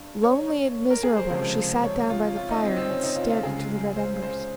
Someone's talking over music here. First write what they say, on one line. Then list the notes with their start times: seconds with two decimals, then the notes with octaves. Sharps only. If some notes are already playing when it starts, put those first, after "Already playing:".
Lonely and miserable she sat down by the fire and stared into the red embers.
Already playing: G2
0.23 C#5
0.90 A#4
1.03 G#4
1.17 C5
1.30 C#2 C3 F3 G#3 C5
1.84 C#5
2.10 F4
2.37 F4
2.51 D#4
2.63 C4
2.76 C4
2.90 C#4
3.03 D#4
3.16 F4
3.30 F4
3.43 C#2 C#3 G#3 G#4
3.96 C5
4.23 C5